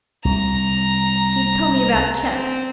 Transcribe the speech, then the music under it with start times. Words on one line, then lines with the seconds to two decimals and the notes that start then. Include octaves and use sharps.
He told me about the cheque.
0.25 C2 A#5
2.21 C4